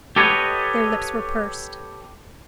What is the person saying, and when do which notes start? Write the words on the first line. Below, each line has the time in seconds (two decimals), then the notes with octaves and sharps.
Their lips were pursed.
0.16 G4 A4 B4 C#5 D#5 F#5